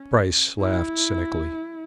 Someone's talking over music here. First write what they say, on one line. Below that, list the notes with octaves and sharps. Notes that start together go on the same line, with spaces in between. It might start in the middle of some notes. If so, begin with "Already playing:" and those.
Bryce laughed cynically.
Already playing: C#4
E4